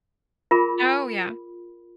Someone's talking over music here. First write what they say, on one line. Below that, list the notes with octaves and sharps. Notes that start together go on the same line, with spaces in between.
Oh, yeah.
F4 G#4 A#4 B5